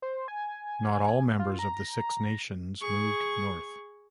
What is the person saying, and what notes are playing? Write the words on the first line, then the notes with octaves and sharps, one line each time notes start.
Not all members of the Six Nations moved north.
C5
G#5
F4
A#5
G#4 C#6